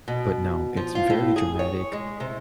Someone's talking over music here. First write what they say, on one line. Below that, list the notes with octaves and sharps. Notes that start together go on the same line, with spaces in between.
But, no, it's very dramatic,
B2
F3
F4
A2
G#4
C#5
G#3
C3